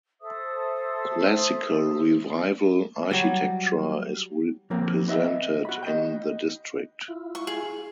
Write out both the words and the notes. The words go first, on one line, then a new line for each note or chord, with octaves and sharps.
Classical Revival architecture is represented in the district.
A4 C5 E5 D#6
F#3 G3
F3 A#3 C4 A#4
B4 D#5 E5 G5
F#4 B5
D#5 G5
E4 F4
C#6
G#4